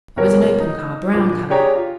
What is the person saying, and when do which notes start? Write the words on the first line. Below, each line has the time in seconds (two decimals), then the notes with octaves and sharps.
It was an open car, brown colour.
0.16 G1 B2 G4 A#4 C#5
0.60 D#4
1.13 A#1 F3 D6
1.50 D4 G4 G#4 C#5 A#5
1.75 F4